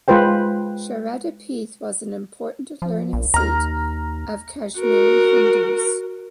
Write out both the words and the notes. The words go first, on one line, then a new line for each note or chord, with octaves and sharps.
Sharada Peeth was an important learning seat of Kashmiri Hindus.
G#3 F4 B4 C5 G5
F3
A#1
D#2 A#5 F6
F#4 A#4